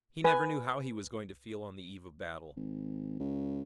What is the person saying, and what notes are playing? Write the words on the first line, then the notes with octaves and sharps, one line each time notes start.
He never knew how he was going to feel on the eve of battle.
B4 G#5
G#1
C#2